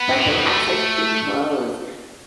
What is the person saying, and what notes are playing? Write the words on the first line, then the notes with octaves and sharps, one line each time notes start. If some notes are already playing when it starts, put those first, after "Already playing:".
But they had such cute clothes.
Already playing: B3
D3
E3
F#3
G3
A3